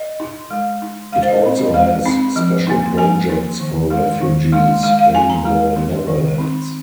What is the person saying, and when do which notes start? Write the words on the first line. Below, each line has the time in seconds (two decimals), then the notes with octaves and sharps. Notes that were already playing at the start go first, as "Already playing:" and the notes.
It also has special projects for refugees in the Netherlands.
Already playing: D#5
0.20 D#4
0.51 G#3
0.82 D#4
1.13 G#3 F5
1.22 C5
1.28 D#5
1.44 C4 D#4
1.59 D#5
1.74 G#3 F5
2.05 C4 D#4
2.36 F3
2.67 A#3 D#4
2.97 F3 G#5
3.29 A#3 D#4
3.60 D#3
3.90 G#3 D#4
4.21 D#3
4.52 G#3 D#4
4.83 G#3 F5
4.99 F5
5.15 D#4 G#5
5.30 A#5
5.45 G#3
5.76 D#4
6.07 D#3
6.38 C4 D#4